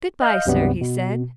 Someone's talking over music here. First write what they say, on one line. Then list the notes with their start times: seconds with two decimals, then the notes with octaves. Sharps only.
'Good-bye, sir,' he said.
0.22 D#5 F5 F6 G6
0.46 C#2 G2 C3 F#3 G3 B3
0.81 B2